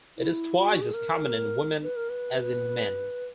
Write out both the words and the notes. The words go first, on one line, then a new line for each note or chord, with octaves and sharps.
It is twice as common in women as in men.
E4
F4
F#4
G#4
A#4
B4
A#4
B4